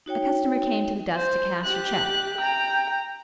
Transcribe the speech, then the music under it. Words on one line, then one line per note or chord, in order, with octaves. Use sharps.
A customer came to the desk to cash a cheque.
D#4 F#4 C#5 G5
C5
G4 F#6
G5 A#5